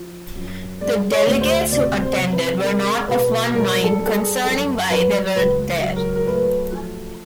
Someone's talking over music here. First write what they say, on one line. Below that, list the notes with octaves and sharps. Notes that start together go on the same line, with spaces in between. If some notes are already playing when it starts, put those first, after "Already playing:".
The delegates who attended were not of one mind concerning why they were there.
Already playing: F3
F#2
G#3 D5
C#5
D2
C5
C3 D5
C5
C3
B4
G#3 A#4
B2 B4
G3 A#4
A4
G3
A4
G#4
F#2 A4
F#3 B4
C#2 B4
F#3
A#4
A#4
A3 B4
F3